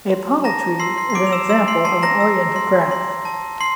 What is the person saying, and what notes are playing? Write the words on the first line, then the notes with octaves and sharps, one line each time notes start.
A polytree is an example of an oriented graph.
C6
A5 A#5 A#6
C6 E6 C7
C6 C7
C7
C6 D6 D7
F7
E6 E7
C6 E6 E7
C6 C7
A5 C6 C7
A#5 A#6
E6
C6
C6
A5
C6 C7